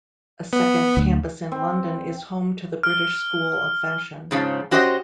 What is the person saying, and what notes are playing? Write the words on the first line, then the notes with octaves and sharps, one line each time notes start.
A second campus in London is home to the British School of Fashion.
B3
D2
C4
F6
G#2 C#3 F3
C#4 F#4 G4 C5 D5 D#5